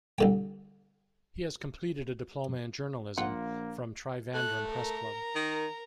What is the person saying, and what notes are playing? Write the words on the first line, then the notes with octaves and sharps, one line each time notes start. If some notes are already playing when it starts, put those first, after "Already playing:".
He has completed a diploma in journalism from Trivandrum Press Club.
C2 D3 G5
A#1 A#3 F4 F#5
A3 F#6
A#4 A#5
D#3